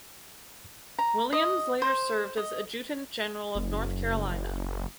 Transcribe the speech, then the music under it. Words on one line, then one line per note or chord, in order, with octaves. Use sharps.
Williams later served as adjutant general of North Carolina.
A#5
D#5
C5
D#5
F#1